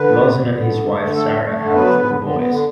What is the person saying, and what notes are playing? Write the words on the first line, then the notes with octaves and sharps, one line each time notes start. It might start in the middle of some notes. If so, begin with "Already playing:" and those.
Lauzen and his wife, Sarah, have four boys.
Already playing: D3 B4
B3
B3
B3
D3
A3
A3
D3
A3 A4
A3
A3
D3
F#3 B3 B4
D3
D3
D3
B3
D3